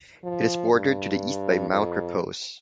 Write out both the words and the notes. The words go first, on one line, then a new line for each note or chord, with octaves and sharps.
It is bordered to the east by Mount Repose.
F3
G2
F2